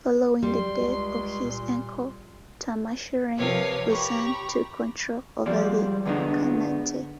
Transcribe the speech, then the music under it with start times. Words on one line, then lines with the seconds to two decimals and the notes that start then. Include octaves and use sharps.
Following the death of his uncle Tarmashirin, Buzan took control of the khanate.
0.43 G3 C6
0.79 C#2
1.43 A#2
3.37 C3 F3 A#4 B4 C#5 F5
3.89 G4 A#5 B5 C#6
5.46 F3 G3 G#3 D5
6.05 D3 G#3 B3 D4 D#4